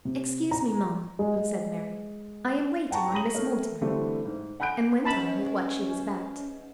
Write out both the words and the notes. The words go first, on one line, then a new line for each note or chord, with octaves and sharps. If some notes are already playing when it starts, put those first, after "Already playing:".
"Excuse me, ma'am," said Mary, "I am waiting on Miss Mortimer," and went on with what she was about.
C3
A#5
G#3
G#3
F#5 G5 A5 A#5 C#6
A#5 B5 D#6 A#6 D#7 F#7
A3 A#4 C#5 E5
D3 E3 G3 A3 C4 D4
G#2
F#5 G#5 B5 F#6 G6 D7
E2 G#2 C#4 A5 B5